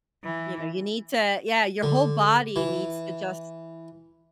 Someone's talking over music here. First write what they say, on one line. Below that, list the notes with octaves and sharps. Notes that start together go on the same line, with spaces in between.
You know, you need to Yeah your whole body needs to just,
E3
D3
E3